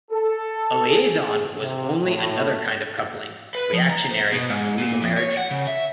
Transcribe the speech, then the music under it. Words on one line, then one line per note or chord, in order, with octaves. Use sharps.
A liaison was only another kind of coupling, reactionary from the legal marriage.
A4
G#4
C3
A2
B4
F3
A#5
C5
B2
G#2
A#2
F2
C#5
F#5
C#3
E5